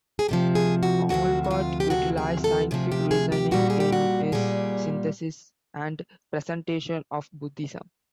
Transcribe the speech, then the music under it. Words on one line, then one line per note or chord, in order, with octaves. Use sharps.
Olcott utilized scientific reasoning in his synthesis and presentation of Buddhism.
G#4
D2 C3 F3 G4
G#4
F#4
D2 C3 F3 F#4
F#4
F4
G4
D2 C3 F3 F#4
G#4
A4
D2 C3 F3 G#4
G4
G#4
G4
A#2 G3 F#4
G#4
G4
F#4
A#2 G3 G#4